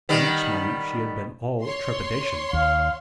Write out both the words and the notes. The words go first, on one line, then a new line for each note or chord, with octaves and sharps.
The next moment she had been all trepidation.
D#3 G3 B3
C#5 C6
D#2 F5